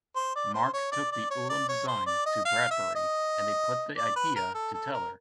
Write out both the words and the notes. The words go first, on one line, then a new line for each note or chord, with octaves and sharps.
Mark took the Ulam design to Bradbury, and they put the idea to Teller.
C5
D5
C5
C#5
D5
D5
C#5
D5
C#5
C5
D5
D#5
F5
E5
D#5
D5
B4
A#4
A4
A4
A#4